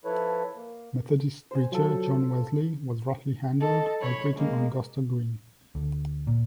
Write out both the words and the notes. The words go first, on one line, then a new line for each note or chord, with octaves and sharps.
Methodist preacher John Wesley was roughly handled while preaching on Gosta Green.
F3 E4 A4 B4 C#5
A#3
C5 G#5
F3 F#3 A4
A4 D#5
C#5 B5
G#3 A#3
D2
A#2